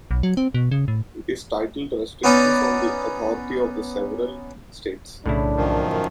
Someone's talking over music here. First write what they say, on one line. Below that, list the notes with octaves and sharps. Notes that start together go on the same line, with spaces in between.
It is titled, Restrictions on the Authority of the Several States.
B1
F#3
C4
B2
C#3
A2
B3 C#4 D#4 D5
B1 A2 C#3 D4 E4
F#2 D#3 F3